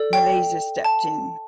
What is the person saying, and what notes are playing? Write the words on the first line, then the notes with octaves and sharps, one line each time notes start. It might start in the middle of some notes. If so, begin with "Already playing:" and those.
Malaysia stepped in.
Already playing: A4 D5
G5
A5